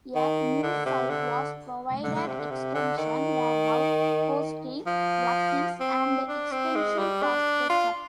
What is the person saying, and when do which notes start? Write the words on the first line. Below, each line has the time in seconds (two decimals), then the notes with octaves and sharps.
A new site was provided, Extension Warehouse, hosting plugins and extensions for Sketchup.
0.15 D#3
0.63 D3
0.86 C3
1.09 D3
2.03 D3
2.15 D3
2.27 C3
2.39 D3
2.51 C3
2.75 D3
2.98 D#3
4.87 F3
5.80 C4
6.28 D4
6.51 C4
6.76 G#3
6.99 G3
7.23 D4
7.70 F4